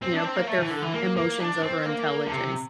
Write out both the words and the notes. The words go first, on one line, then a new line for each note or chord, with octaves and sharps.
you know, put their f emotions over intelligence.
C4
D4
C4
A#3
A3
E3
D3
E3
A#3
A#3
D4
C4
A#3
D3
C3